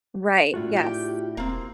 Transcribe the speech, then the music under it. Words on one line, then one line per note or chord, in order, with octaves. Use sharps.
Right, yes.
A2 A3 D4 F4 F#4
G4 G5
E1 A#3 C4